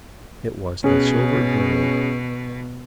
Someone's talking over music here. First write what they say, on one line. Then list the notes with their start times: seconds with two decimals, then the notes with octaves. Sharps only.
It was the "silver-gray."
0.84 B2 C#4 G#4